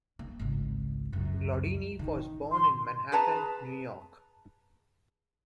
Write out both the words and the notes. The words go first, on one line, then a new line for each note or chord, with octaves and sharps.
Glaudini was born in Manhattan, New York.
A#3
G#1 C#2
C#2 F#2
A1 D#3
C6
G#4 B4 A5 A#5